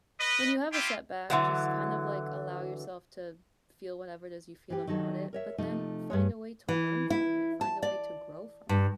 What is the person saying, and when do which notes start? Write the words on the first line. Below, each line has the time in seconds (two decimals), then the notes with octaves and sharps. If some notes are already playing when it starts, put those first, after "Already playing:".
when you have a setback, just, kind of, like, allow yourself to feel whatever it is you feel about it, but then find a way to learn from it, find a way to grow from it.
0.20 B4 D#5
0.73 C4 E4 F4 G4
1.30 D3 E3 F#3
4.70 E3 G4
4.87 D#3 F#3 D#4 A4
5.33 A#4 C#5 E5
5.58 C3 F3 A3 D#4
6.10 G2 G#4 C#5
6.69 E3
7.10 E4
7.61 A5
7.83 D5
8.69 G2